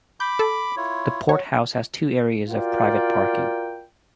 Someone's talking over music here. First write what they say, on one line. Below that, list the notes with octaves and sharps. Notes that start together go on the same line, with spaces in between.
The port house has two areas of private parking.
B5 D6 G6
A4
E4 F4 C#5
F#4 C#5
F4 F#4 A#4 D5 G5